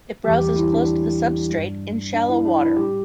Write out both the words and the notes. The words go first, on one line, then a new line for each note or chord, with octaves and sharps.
It browses close to the substrate in shallow water.
E2 E3 G3 G4
G4
E4
D4
G2 G3
D4
E4
D4
E4
A2 G3 G4